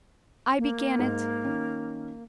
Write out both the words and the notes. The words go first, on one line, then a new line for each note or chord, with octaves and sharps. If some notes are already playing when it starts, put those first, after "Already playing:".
I began it!
A#3
G#2
D#3 C#4